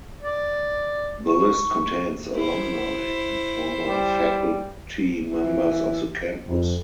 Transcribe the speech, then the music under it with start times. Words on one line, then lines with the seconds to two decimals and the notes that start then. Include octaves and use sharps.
The list contains Alumni and former faculty members of the campus.
0.21 D5
1.27 C#6
2.36 E4 C5
3.86 G3
5.30 E3
6.48 F2